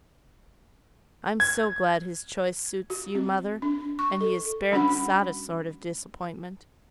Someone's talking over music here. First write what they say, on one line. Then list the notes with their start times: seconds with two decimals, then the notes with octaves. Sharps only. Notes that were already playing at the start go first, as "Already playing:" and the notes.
'I'm so glad his choice suits you, mother, and he is spared the saddest sort of disappointment.'
1.40 G#6
2.90 F#4
3.15 C4
3.62 D4
3.99 C#6
4.21 A4
4.72 G3 C#4 D4 F#4 F#5 B5